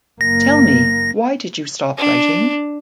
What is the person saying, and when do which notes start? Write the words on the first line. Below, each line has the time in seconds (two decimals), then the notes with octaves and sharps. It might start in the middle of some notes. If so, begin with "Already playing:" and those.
Tell me: why did you stop writing?
0.21 F#1 A#3 A#6
1.97 D4